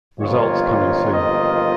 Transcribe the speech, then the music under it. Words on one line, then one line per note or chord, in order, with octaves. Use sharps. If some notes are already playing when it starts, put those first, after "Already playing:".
Results coming soon.
G1 F2 D#3 A#3 F4 C#5
C#5
D#5